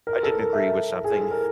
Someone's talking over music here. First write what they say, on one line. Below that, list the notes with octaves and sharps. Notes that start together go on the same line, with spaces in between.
I didn't agree with something
A#4
A4
A#4
E5
G#4
A4
A#4